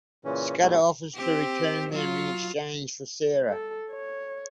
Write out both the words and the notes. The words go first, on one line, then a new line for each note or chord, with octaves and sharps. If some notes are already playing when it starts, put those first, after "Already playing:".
Scudder offers to return them in exchange for Sarah.
A#2 C#3 E3 C#4
G#2 B2 F#3 G3 A3
C4 G4
F#3 F4
A4
C#5